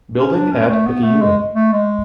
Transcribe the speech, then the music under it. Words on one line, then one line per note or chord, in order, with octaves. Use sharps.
Building at Picayune.
C#4
D4
C#4
A3
B3
A3
G#3
A3
G#3